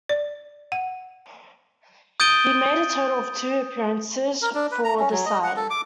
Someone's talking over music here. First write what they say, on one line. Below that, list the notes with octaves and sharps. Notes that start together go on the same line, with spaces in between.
He made a total of two appearances for the side.
D5
F#5
D#6 G6 A6 D7 D#7 G7
A#4
D4
B4
A#5
C#4
F#3
D#5
F#5
A4
D6